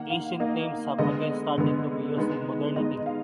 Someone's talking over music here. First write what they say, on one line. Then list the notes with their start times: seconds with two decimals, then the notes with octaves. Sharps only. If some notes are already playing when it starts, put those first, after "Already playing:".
Ancient names have again started to be used in modernity.
Already playing: D#3 A#3 F#5
0.10 F5
0.40 D#3 A#3 D#5
0.99 D3 G#3 B3 D#5
1.58 D3 G#3 B3
2.17 D#3 G#3 B3
2.76 D#3 G#3 B3 D#5
3.06 F5